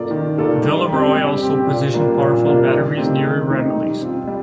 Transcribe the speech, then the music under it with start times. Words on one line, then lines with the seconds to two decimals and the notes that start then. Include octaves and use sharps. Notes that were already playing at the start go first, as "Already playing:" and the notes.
Villeroi also positioned powerful batteries near Ramillies.
Already playing: A#3 F4 A4 D5
0.11 D#3
0.37 A#3 F4 A4 D5
0.63 G3
0.89 C4 G4
1.15 G3
1.42 C4 G4
1.67 A#2
1.94 G3 A#3 D4 F4
2.19 A#2
2.45 G3 A#3 D4 F4
2.71 D#3
2.97 A3 C4 D#4 G4
3.24 D#3
3.49 A3 C4 D#4 G4
3.76 G3
4.01 C4 F4
4.28 G3